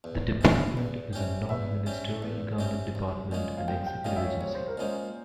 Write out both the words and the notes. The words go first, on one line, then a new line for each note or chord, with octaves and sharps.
The department is a non-ministerial government department and executive agency.
E2
C3 G3 C#4 G4
E2
C3 G3 C#4 G4
E2 E5
C3 G3 C#4 G4
E2
C3 G3 C#4 G4
C2
A#2 G#3 C#4
F5
C2 G5
G5
A#2 G#3 C#4 F5
E5
C#5
C2 C#5
C5
A#4
A#2 G#3 C#4 C5